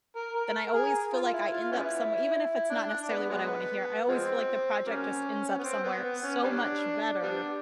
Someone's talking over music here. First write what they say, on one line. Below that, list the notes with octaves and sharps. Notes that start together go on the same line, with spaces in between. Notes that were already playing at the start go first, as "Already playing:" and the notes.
then I always feel like I end up somewhe even if it's not necessarily what I wanna hear, I always feel like the project just ends up somewhere so much better,
A#4
A#4
A#4
G#4
F4
E4
F4
B3 C#4 E4
E4
D4
D4
B3
F#3 G#3 B3
F3 G#3 C4
F#3 A#3 C#4
B3
C4
B3
B3
C#4
G3 B3 D4
G3 B3 D4